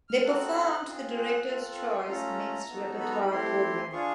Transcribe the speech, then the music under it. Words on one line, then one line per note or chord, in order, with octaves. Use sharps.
They performed the "Director's Choice" mixed repertoire program.
F6
C4 D#4 F#4 A4 F#6
C4 F4 G#4
F#6
C4 F4 A4
F#6
C#6
C6
A3 C#4 F4 A4 A#5
B3 D#4 F#4 A4
B5
A#5
B5
A3 C4 E4 G4 C6
D4 F4 G#4 C#6